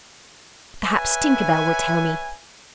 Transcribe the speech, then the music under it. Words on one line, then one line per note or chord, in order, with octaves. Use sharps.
'Perhaps Tinker Bell will tell me.'
B4 C#5 E5 G#5